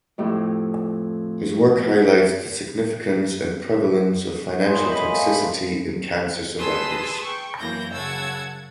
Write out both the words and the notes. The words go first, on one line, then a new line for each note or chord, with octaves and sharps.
His work highlights the significance and prevalence of financial toxicity in cancer survivors.
F2 A2 G4
G#3 B3 C#5
A#2 D#3 E3 D#4 C5
F#2 F#3 C4 D#5 B5
F5 G#5
A3
C3 F3 G3
G#4 B4 A5 C6 D#6 E6
G5 C#6
F#2 E3 A#3 E4 G6 A#6
F#2 C#3 F#5 A5 E6 G#6